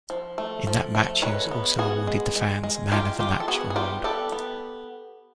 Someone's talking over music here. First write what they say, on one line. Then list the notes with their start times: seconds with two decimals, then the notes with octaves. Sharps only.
In that match, he was also awarded the fans' Man of the Match award.
0.10 F3
0.38 A3
0.67 F3
0.95 A3
1.22 G#3 B4 C#5
1.51 B3
1.79 B3 F#4 G#4
2.07 G#3
2.36 G#3
2.64 G#3
2.92 G#3 F4 G4
3.20 G#3 F4 G4
3.40 A4
3.48 B3 F#4 G#4
3.70 G#4
3.76 G3 F4 G4
4.04 B3 G4 A4
4.32 B3